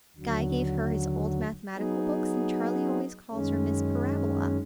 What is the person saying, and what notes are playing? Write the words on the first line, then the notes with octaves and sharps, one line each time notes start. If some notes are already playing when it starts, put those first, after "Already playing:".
Guy gave her his old mathematical books, and Charlie always calls her Miss Parabola.'
D#2 D3 F#3
F#3 B3 D#4 G#4
F#2 D#3 G#3 C#4